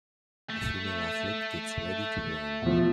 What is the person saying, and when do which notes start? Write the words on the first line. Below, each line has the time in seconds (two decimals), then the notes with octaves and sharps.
A female athlete gets ready to run.
0.49 A3
2.62 B2 F3